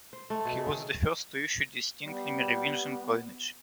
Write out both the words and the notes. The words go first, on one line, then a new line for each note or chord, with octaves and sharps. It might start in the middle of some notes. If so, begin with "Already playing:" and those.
He was the first to issue distinctly Merovingian coinage.
C5
A3
B2
C#3
D#3
G3 B3